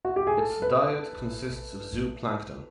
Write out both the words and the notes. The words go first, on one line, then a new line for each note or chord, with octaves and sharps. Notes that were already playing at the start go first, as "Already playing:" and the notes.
Its diet consist of zooplankton.
F#4
G4
G#4
A4
B4